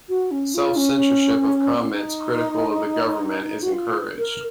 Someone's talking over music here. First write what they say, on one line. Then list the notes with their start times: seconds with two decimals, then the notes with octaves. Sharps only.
Self-censorship of comments critical of the government is encouraged.
0.09 F#4
0.31 C#4
0.54 F4
0.76 C#4
1.75 B3
1.84 C#4
1.91 D#4
3.63 F#4
3.73 F4
4.19 A#4